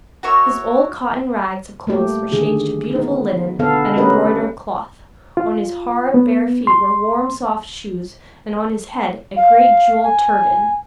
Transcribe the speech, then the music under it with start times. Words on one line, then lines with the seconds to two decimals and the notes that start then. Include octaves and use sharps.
His old cotton rags of clothes were changed to beautiful linen and embroidered cloth; on his hard, bare feet were warm, soft shoes, and on his head a great jewelled turban.
0.23 F#4 A#4 C#5 E5
1.87 A3 A#3 G4
2.32 D3 D#3 G#4
2.91 B3 D#4
3.59 D3 B3 A4 F5
3.96 A3 C#4 G4 A#4 B4 D#5
5.37 F4
6.14 B3
6.67 C6
9.37 F5
10.04 G#5